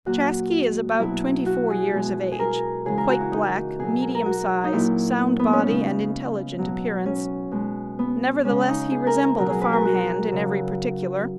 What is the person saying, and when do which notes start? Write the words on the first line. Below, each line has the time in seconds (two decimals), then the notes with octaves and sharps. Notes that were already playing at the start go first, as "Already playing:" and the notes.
Chaskey is about twenty-four years of age, quite black, medium size, sound body and intelligent appearance, nevertheless he resembled a "farm hand" in every particular.
0.06 A#2 F#3 F#4
0.99 B2 F#3 E4
1.46 F#4
1.70 G#4
1.93 B2 G#3
2.32 G#4
2.39 A#4
2.85 C#3 E3 G#3 G#4
2.98 A#4
3.09 F#4
3.20 E4
3.32 D#4
3.79 B2 F#3 G#4
4.02 A#4
4.15 A#4
4.26 F#4
4.64 D#4
4.73 A#2 F#3 E4
5.39 B3
5.53 C#4
5.65 C#3 G#3 D#4
6.59 B2 F#3
7.06 C#4
7.51 B2 G#3
7.99 B3
8.45 C#3 G#3 C#4
8.69 D#4
8.92 G#4
9.07 A#4
9.23 A#4
9.38 B2 F#3 A#4
9.50 G#4
9.61 B4
9.73 A#4
9.85 F#4
10.32 C#3 F#3